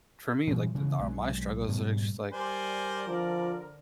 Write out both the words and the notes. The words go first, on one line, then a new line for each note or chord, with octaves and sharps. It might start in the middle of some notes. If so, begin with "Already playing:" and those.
for me, like, the th are my struggles are just like
A#2 E3 G3 G#3
C#3 E3 G#3
B1 F#3 G#3
G#2 B2 G3
G3 A#4 C5 D5 G#5
D3 F3 D5